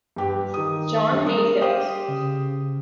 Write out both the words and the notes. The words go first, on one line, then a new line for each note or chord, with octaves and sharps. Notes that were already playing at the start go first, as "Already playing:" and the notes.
John A. Dix.
G2 G4 B4
D#3 D#6
G3 D4
A#4 D#6
G4 C5 F5 D#6
C#3